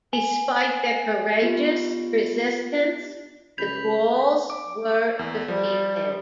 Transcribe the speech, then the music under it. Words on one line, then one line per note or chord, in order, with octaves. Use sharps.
Despite their courageous resistance, the Gauls were defeated.
G#5
B3 F4 G4
C#2 B5 G6 B6 F7
D6
E2
F3 G3